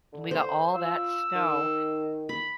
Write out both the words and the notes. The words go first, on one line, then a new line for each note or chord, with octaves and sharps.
We got all that snow
D3
C5
F4 E6
D#3
B5